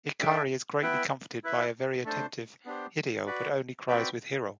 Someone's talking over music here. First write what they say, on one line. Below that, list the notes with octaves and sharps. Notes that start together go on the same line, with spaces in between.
Hikari is greatly comforted by a very attentive Hideo but only cries with Hiro.
D4 A4 E5 G5
B3 E4 B4 E5 G5
E4 B4 E5
A3 D4 A4 C5
B3 D4 G4 C5
F#4 B4 D5
C4 F#4 B4 D5 G5